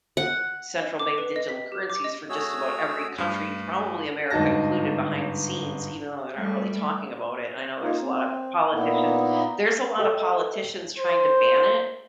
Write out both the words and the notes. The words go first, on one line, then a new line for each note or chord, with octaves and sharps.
central bank digital currencies for just about every country, probably America included behind the scenes, even though they're not really talking about it. I know there's a lot of politicians there's a lot of politicians trying to ban it.
F#5
D#5
D6
B4
D#5
B6
G4
D6
D#5
A3 F#4 G#4 C#5 E6
G2 A3
G1 G#2 D#4 F#4 A5 A#6
G3 A3
A#3 D#4 F4
C4
A#2 A#3 B3 D#4 E4
G4 A4 D#5 E5 G5
C5